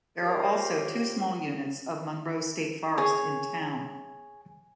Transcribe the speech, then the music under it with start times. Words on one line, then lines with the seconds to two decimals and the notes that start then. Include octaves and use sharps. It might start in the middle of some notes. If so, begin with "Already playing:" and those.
There are also two small units of Monroe State Forest in town.
0.21 F4 G4 A#4 C5 C#5
2.98 G#4 C#5